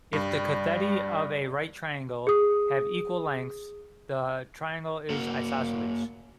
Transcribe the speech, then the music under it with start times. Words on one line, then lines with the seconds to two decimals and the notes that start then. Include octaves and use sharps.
If the catheti of a right triangle have equal lengths, the triangle is isosceles.
0.13 G2 G3
2.27 G#4 D#6
5.10 A#3 F#4 A#4